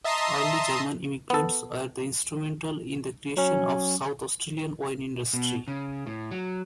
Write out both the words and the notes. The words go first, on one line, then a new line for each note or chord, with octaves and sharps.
Early German immigrants were instrumental in the creation of the South Australian wine industry.
D#5 E5 A5 A#5 C6 D#6
B3 A4
F#3 C#4
B2
C#3
A2
F#3